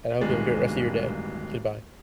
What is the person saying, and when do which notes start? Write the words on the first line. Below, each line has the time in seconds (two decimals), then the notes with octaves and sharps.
and I hope you have a great rest of your day, goodbye.
0.20 D1 G2 D#3 G#3 A#3